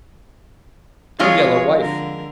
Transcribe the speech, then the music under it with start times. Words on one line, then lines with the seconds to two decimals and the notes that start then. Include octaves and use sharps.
'A yellow wife!
1.19 F2 G#3 F4 G#4 C#5
1.78 D3 A#4